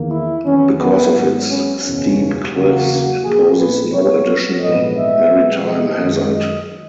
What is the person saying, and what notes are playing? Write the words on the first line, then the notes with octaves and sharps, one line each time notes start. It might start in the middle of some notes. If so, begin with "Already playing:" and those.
Because of its steep cliffs, it poses no additional maritime hazard.
Already playing: E2 D#3 A#3
E4
E2 D#3 F#3 B3 C#4
B3
G#1 G#2 F#3 B3
C#4
F#1 E2 B2 A#3 C#4
E2 C#3 F#3 A#3 F#4
A#1 A#2 A#3 G#4
B4
B1 B2 F#3 B3 C#5
A#1 G#2 E3 B3 D#5
E5
B1 B2 G#3 B3
D#5
F#2 D#3 G#3
D#5